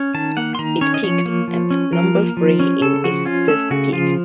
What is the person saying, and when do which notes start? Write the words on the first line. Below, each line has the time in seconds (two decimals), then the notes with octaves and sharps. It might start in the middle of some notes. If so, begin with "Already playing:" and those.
It peaked at number three in its fifth peak.
Already playing: C#4
0.14 D#3 A5
0.37 A#3 F#5
0.55 C6
0.59 D#3 A#5
0.81 C#4 C#5
0.94 D#5
1.04 F3 C#5
1.25 A#3
1.48 F3
1.71 C#4
1.92 F3 A#4
2.15 A#3
2.37 F3
2.59 C#4
2.81 C#3 A4
3.04 F3 F#4
3.25 C#4 F4
3.48 A3 A4
3.70 C#3 F#4
3.93 F3 F4